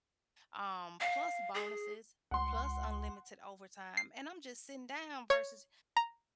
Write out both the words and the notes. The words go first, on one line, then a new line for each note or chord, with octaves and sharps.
um, plus bonuses, plus unlimited overtime, and I'm just sitting down versus
F5
G#4
C#2 F#5 C6
C7
C#5
A#5